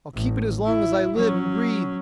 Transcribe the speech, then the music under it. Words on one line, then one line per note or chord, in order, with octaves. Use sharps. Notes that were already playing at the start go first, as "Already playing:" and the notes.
"I'll keep it as long as I live and breathe."
A1
E4
F#3 C#4